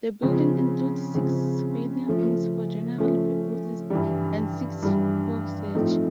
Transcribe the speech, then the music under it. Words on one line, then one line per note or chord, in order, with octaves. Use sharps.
The building includes six reading rooms for general purposes and six for research.
C#3 F3 G#3 C4
C#3 F3 G#3 C4
F3 A3 C#4
F3 A3 C#4
G2 E3 G3
G2 E3 G3
A2 F3 A3 C4 D#4